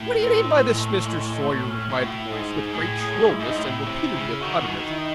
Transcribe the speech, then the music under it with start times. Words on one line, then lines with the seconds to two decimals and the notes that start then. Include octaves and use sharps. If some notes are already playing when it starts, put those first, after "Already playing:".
'What do you mean by this, Mr. Sawyer?' replied the voice, with great shrillness and rapidity of utterance.
Already playing: A2
0.21 C4
0.50 C4
0.73 G#3
0.77 A3
1.06 G#3
1.18 A3
1.27 G#3
1.41 C4
1.48 A3
1.69 C#4
1.89 A2 E4
1.99 F#4
2.10 E4
2.32 G#2 G#4
2.74 A2 G#4
3.02 G#4
3.16 G#2
3.30 E4
3.40 G#2 D#4
3.57 A2 E4
3.86 C3
4.14 C#3
4.42 D#3 F#4
4.52 E3
4.60 D#3
4.69 E3
4.79 D#3
4.90 E4
4.98 D#4